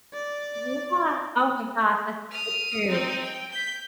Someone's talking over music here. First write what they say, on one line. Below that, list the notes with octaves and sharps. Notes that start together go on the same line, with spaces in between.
yeah, oh, my gosh, that's so true.
D5
D#6 F6
C4 D#4
G5
G6 B6